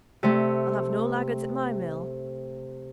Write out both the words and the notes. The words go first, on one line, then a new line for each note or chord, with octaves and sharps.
'I'll have no laggards at my mill.
C3 A3